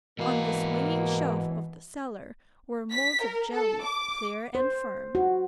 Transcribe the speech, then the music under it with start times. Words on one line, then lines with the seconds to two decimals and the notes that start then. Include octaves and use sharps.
On the swinging shelf of the cellar were moulds of jelly clear and firm.
0.19 G#2 B2 E3 A#3 F5
2.92 B6
3.23 A#4
3.52 A4
3.85 D6
4.55 C5
5.15 F#4